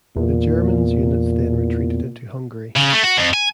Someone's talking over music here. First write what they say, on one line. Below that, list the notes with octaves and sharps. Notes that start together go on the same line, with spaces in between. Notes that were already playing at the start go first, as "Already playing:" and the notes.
The Germans units then retreated into Hungary.
E2 A#2
C#3
A3
F#4
F2
G#5